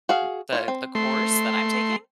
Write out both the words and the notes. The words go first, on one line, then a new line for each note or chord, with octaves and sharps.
m the the course that I'm taking,
F#4 G#4 F5
F4 C#5
C4
A3 C6